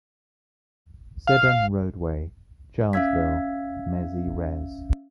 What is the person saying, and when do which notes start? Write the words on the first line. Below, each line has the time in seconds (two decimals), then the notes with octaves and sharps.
Sedan roadway, Charleville-Mézières.
1.27 F5
2.93 C#4 E5 F5 E6 G#6 B6